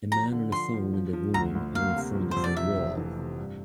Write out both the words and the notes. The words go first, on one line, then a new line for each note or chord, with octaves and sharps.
A man on a phone and a woman are in front of a wall.
F3 A#5
D3
F3 C6
F3
F3
F3
D2 A#5
D2
A#3 F5
C3
F3
F2 C5
D5
C3 E5
F1
E3
C3
G2